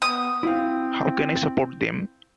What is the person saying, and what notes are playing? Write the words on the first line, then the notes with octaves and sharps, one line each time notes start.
How can I support them?
B3 D#6
C4 E4 F5